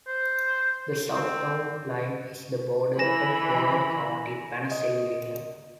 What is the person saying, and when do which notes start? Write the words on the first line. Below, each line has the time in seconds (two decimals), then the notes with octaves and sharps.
The south town line is the border of Warren County, Pennsylvania.
0.07 C5
1.15 C4
2.99 E3 G#5 B5 A#6 E7
4.72 D#5